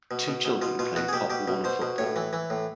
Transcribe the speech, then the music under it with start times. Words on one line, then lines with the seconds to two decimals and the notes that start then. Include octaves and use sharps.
Two children playing pop warner football.
0.11 B2
0.28 B2
0.45 B2
0.62 B2 F4
0.79 B2 F4
0.96 B2 F#4
1.08 G#4
1.13 B2 G4
1.30 B2 G4
1.48 B2
1.64 B2 C5
1.82 B2
1.98 A2 C#5
2.16 E3
2.33 E3
2.50 A2